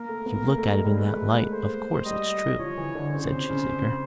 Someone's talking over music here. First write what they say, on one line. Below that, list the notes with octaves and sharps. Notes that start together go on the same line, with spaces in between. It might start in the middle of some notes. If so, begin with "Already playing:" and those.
"If you look at it in that light, of course it's true," said Cheesacre.
Already playing: A#3 A#4
A3
B3
A#3
A3
G#3
G3
A3 B4
G#3
A#3
A3 C5
G3 D#5
F3 C#5
E3
D3
C#3 C5
C3
C#3
C#3